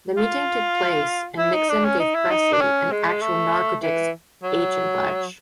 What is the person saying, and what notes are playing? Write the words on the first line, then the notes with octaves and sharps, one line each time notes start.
The meeting took place and Nixon gave Presley an actual narcotics agent badge.
F4
E4
D#4
D4
C#4
D#4
E4
D#4
D4
C#4
G#3
G#3
A3
E3
F#3